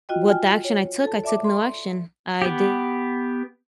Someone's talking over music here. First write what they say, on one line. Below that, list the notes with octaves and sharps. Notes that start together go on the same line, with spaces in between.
what the action I took, I took no action. I didn't
F4 F#4 D#5 G5
G5 G#5 F6
C#5
A4 A5
D5 E5 A5 D6
C6
B3 G4